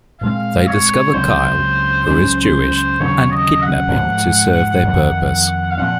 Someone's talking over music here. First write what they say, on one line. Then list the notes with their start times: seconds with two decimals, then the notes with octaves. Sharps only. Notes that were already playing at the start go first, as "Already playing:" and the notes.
They discover Kyle, who is Jewish, and kidnap him to serve their purpose.
0.21 A#2 G#3 C4 F5
0.67 C#5
1.13 C#2 C#3 F#3 C4 C5
2.06 C#2 C#3 F#3 C#4 C5
2.37 C5
2.69 C5
3.00 D#2 C#3 F#3 C4 C#5
3.31 D#5
3.62 F#5
3.92 G#2 F3 A#3
4.85 F2 D#3 A#3
5.71 F5
5.78 A#2 F3 C4 F#5